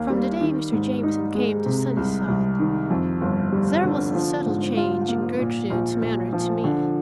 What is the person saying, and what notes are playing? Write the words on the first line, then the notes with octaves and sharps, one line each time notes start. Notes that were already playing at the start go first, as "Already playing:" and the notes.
From the day Mr. Jamieson came to Sunnyside there was a subtle change in Gertrude's manner to me.
Already playing: D#2 A#3
G3
D#3
G#2
D#4
G#3
C3
C2
C2
D#3
F2
G1
G3
D3
F3
G#2
F4
A#3
A#2
A#1
A#1
F3
D3